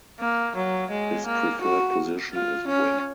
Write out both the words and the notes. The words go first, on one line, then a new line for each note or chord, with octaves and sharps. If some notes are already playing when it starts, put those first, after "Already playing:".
His preferred position is wing.
A#3
F#3
G#3
A#3
F#4
F4
C#4